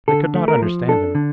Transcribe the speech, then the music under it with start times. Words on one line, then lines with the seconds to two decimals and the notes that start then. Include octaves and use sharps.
They could not understand him.
0.08 D3 A4
0.35 A3
0.48 A#4
0.62 F3
0.88 D4 A4
1.15 D3